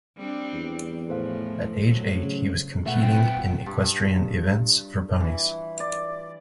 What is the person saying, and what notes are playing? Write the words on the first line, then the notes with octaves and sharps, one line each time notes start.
At age eight he was competing in equestrian events for ponies.
G3 C4 D4
E2
A2 E3 F3 A4 C5 F5
A2 F#3
C#3
B2 A3 B4 E5 F#5
B3 C4 G5
G2 F4
G2
E3
D5